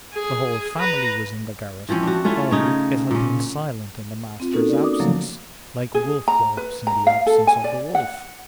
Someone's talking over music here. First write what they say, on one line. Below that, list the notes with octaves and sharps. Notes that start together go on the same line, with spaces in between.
The whole family was in the garret. Only, it had been silent in the master's absence, like wolf whelps in the absence of the wolf.
G#4
B4 A#5
E3 F3 C4 C#4
D4 F#4
A3 C#4 E4 F4
C#3 D#4 C#5
A#2 C#4
C4 F4
A#3 C#4 D#4 F#4 A4 A#4
F#4 D5
D6 D#6
C#3 F3 F#3 A3 A#3
G#4
A#5
B4
A#5
F5
A4
G#5
D5
F#5